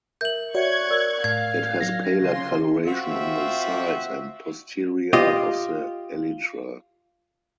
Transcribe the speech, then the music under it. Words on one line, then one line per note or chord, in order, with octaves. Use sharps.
It has paler colouration on the sides and posterior of the elytra.
A#4 E5 G6 F#7
F#4 C#5 D5 E5 C#6 F#6 G#6 C#7
A#4 D5 E6
A2 F5 G#6
F#3 A#6
C#3 F4 C6
C4 F4 F#4 E5
F4 G4 D#5